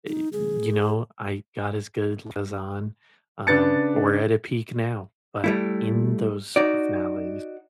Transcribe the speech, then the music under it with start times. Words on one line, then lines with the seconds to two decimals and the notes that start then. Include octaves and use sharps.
Eh, you know, I God is good 'cause on um, we're at a peak now, but in those valleys
0.07 D#4
0.33 G#4
3.47 C#3 D4 B4 A6 C#7
5.44 G3 A3 E4
6.56 D#4 F#4 D5